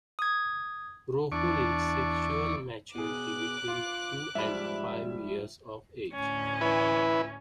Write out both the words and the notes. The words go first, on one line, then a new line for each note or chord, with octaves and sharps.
Rohu reach sexual maturity between two and five years of age.
D#6 G#6
E2 D4 D5 C#6
B2 G#4 D6 F#6
F4
G#2 F3 G3 E5 B5
D2 A2 C#4
E4 B4